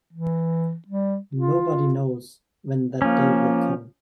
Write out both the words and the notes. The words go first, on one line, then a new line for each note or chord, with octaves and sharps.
Nobody knows when that day will come.
E3
G3
F4
F3 A#3 C#4